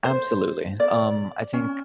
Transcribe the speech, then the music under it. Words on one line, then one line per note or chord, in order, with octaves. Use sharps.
absolutely. Um, I think
C5
D5
C#4